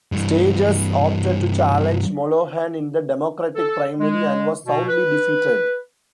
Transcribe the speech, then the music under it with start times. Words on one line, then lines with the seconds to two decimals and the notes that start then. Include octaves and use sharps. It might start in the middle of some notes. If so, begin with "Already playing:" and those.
Staggers opted to challenge Mollohan in the Democratic primary, and was soundly defeated.
0.12 G2 E3
3.56 A4
3.99 G#3
4.66 B2
4.88 B4